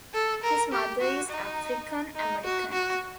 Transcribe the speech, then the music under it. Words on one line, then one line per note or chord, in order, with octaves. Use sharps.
His mother is African-American.
A4
A#4
G4
F#4
D#4
D#4
F#4
F#4